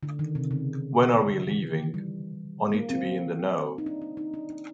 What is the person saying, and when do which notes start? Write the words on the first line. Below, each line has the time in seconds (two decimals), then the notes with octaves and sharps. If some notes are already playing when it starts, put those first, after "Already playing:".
When are we leaving? I need to be in the know!
0.03 D3
0.19 D#3
0.35 C3
0.51 C#3
1.30 D3
1.47 E3
1.63 D#3
1.79 E3
1.94 G3
2.74 A#3
2.90 C4
3.78 D#4
3.86 D4
4.02 D4
4.17 D#4
4.34 D4
4.50 D4